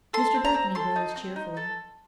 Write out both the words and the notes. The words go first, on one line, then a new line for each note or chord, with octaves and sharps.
Mr Bethany rose cheerfully.
A4 C6
C4
A#5
C4
A4 C6
D#4
C4
D#4
A4